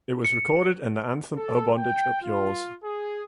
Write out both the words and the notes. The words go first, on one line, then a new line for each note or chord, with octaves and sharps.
It was recorded and their anthem Oh Bondage Up Yours!
C#7
A4
G5
F4
G#4